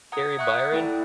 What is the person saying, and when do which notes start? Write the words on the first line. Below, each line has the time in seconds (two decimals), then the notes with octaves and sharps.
Carrie Byron,
0.12 F#5 A#5 D#6 G#6
0.39 E5 F#5 A#5 C#6 D#6 F#6
0.72 A3 E4 A4 D5 G5